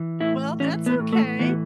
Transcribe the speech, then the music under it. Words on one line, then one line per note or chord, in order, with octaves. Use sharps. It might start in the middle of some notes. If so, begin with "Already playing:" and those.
Well, that's okay.
Already playing: E3
A2 E4
E3 C#4
B3
A2
A3
E3 B3